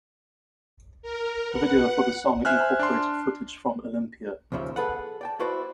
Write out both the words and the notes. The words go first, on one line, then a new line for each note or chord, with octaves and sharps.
The video for the song incorporated footage from Olympia.
A#4
B4 F#5
C5 E5 G#5 F6 F#6
D4 C6
D#2 A#2 C#3 F3 E5
G#4 A4 B4 F#5
D5 G5 A5
E4 F#4 B4 C5 D5